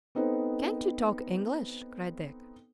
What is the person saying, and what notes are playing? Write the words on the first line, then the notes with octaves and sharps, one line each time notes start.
"Can't you talk English?" cried Dick.
B3 C4 D#4 A4 B4 C5